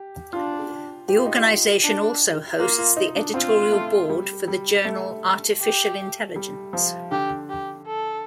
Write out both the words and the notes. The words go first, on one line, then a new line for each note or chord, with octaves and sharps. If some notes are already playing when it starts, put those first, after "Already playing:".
The organization also hosts the editorial board for the journal Artificial Intelligence.
Already playing: G4
D4 F4
G4
F4
D#4
F4
D4
A#3 F4
F4
D#4
D#4
D4
C4 F4
A3
G3
G3
A3
G4
G3
F3
D3 G4
G4
A4